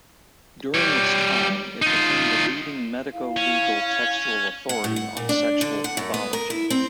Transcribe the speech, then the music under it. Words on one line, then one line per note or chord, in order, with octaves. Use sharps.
During its time, it became the leading medico-legal textual authority on sexual pathology.
G3 C#5
D#4 F4
E4 F5
C#4
F#5
A2
F#5
A#2
D4
D3
F#5
F#2
B3
A#4
E4
C4